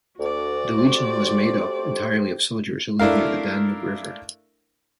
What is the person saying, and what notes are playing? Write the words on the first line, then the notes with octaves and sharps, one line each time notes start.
The legion was made up entirely of soldiers who lived near the Danube river.
D2 F#4 D5
A3 G4 C5
A3 D4 E4 A#4 F5